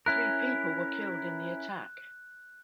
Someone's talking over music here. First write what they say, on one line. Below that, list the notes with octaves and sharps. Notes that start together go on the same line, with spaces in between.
Three people were killed in the attack.
C#4 E4 A#4 F#6